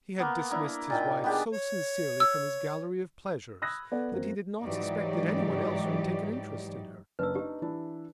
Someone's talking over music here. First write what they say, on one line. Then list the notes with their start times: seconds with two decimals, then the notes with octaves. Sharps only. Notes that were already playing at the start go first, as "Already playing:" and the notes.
He had dismissed his wife so sincerely from his gallery of pleasures that he did not suspect that anyone else would take an interest in her.
0.19 A#3 B3
0.50 A#3 D4 E4
0.90 A#2 D#3 G5
1.24 B3 D4 G4 G#4
1.52 C#5
2.20 E6
3.62 B5 D#6 E6 F#6 G#6 A#6
3.92 B3 A4 D5 F#5
4.11 F#2 A#3 C4
4.62 G#2 E3 F#3 D#4 G4 D5
7.19 F#1 D4 B4 E6
7.35 D4 D#4 G4
7.62 E3 D4 E4